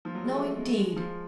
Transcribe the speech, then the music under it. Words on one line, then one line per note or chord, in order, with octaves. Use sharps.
No, indeed!
F3
F#3
G#3
A3
G#3
G#3
F3